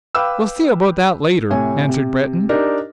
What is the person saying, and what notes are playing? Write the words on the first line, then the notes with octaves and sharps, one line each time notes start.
"We'll see about that later," answered Breton.
B4 F5 G5 B5 D6 E6
A2 C3 C#5 G#5
C3
D4 D#4 G4 A#4